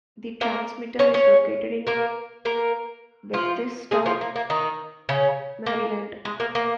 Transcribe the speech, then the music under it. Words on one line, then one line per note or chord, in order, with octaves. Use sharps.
The transmitter is located in Bethesda, Maryland.
A#3 A#4
C#4 C#5
C#4 C#5
A#3 A#4
A#3 A#4
F3 F4
G#3 G#4
F3 F4
A#3
A#3
D#3 D#4
C#3 C#4
A#3
G#3
A#3
A#3